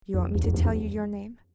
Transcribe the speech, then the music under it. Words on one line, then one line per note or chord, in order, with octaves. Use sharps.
Do you want me to tell you your name?
F2
E2
F2
E2
F2